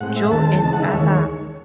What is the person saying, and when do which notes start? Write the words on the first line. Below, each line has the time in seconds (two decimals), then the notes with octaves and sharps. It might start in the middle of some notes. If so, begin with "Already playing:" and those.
Joe, and others.
0.01 A2 G#3 C4 F#5
0.16 E5
0.31 D#2 D#3 G#3 C4 A5
0.62 C#3 E3 G#3 D#4 A5
0.73 F#5
0.82 E5
0.93 D#2 D#3 G#3 C#5